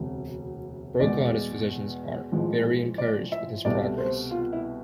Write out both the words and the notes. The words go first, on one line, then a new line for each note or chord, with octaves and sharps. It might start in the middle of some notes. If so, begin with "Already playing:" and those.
Brokaw and his physicians are "very encouraged with his progress".
Already playing: E1 D2 C3
E2 B2 G#3 D5
A1 A2 F3 G#3
D5
E5
C2 B2 A3 D5
C5
F4
E4